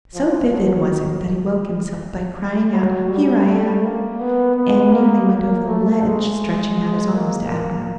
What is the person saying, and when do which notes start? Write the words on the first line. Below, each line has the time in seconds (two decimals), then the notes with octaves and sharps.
So vivid was it that he woke himself by crying out, "Here I am!" and nearly went over the ledge, stretching out his arms to Abner.
0.15 F3
0.51 F#3
2.72 F#3
3.09 G3
3.46 A3
3.83 A#3
4.20 B3
4.56 B3
4.93 A#3
5.30 A#3
5.66 A3
6.03 G#3
7.14 A#3
7.51 A#3